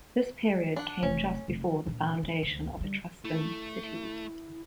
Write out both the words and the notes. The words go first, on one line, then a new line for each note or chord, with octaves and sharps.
This period came just before the foundation of Etruscan cities.
D4 F#5
F1 C#4
F1
A#2 D3
D#3
D2
D3 G3
A3 E4